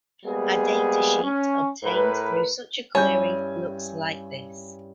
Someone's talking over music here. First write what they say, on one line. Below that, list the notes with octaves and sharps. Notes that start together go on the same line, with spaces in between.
A data sheet obtained through such a query looks like this.
G3 G#3 A#3 B3 G#4
C#4
A2 A#4 B4
G2 C#4 E4 C#5 G#5 G6